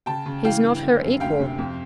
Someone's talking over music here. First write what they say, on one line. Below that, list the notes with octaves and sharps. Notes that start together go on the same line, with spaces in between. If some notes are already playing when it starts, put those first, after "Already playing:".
'He's not her equal.
C#3 G5 A5
C#3
E3 F5 G5
G2
D3
F#2
D2 F5 G5
C3
F2